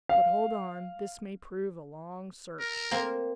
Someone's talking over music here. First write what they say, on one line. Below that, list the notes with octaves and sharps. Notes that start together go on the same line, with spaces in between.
"But, hold on, this may prove a long search."
F5
A#4
A#3 C4 C5